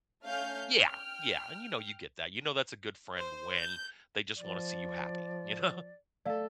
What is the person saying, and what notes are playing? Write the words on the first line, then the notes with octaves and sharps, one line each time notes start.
Yeah, yeah, and, you know, you get that, you know that's a good friend when they just wanna see you happy, you know?
A3 C#4 F5 F6 G6
G5 F6
C5
G6
F3 D5
A3 A4 D5 F5